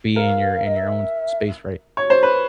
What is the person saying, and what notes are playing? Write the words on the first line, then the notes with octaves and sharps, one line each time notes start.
be in your in your own space, right?
A#4 F5
D#5
E5
C#5
C5
B4